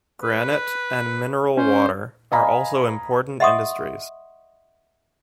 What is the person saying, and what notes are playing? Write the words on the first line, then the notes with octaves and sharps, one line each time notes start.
Granite and mineral water are also important industries.
B4
C#4 C5
D#5 F5 G#5 A#5 B5
D#5 E5 F#5 C6 C#6 D#6